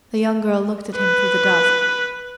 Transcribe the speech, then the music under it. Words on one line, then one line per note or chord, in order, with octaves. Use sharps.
The young girl looked at him through the dusk.
B4